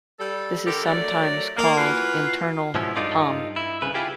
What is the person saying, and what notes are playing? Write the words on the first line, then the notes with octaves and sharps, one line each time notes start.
This is sometimes called internal Hom.
G3 A4
D3 G4 A4 A#4
F#3 A3 A#4 D5
A#3
E3 F4 F#4 B4
G#2 B2 F3 B3 C#4 E4
G2 D4 D#4 F4 A4 D5
E4
C2 C#3 B4
E4 F4 G4 G#4